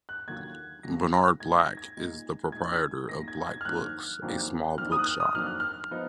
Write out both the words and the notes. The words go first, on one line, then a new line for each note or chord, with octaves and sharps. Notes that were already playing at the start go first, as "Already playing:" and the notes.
Bernard Black is the proprietor of Black Books, a small bookshop.
F#6
D#2 D3 F#3 A#3 F4 G#6
D#2 D3 F#3 A#3 F4 A#6
A#2 G#3 D#4 G#6
A#6
G#6
A#2 G#3 D#4
A#2 G#3 D#4 G#6
A#2 G#3 D#4 A#6
G#6
G#6
F6
F2 D#3 F#3 A#3 D4 F#6
F2 D#3 F#3 A#3 D4
F2 D#3 F#3 A#3 D4 F6
D#6
F#6
F6
D#6
F2 D#3 F#3 A#3 D4 F6
F#6
F6
F3 B3 D#4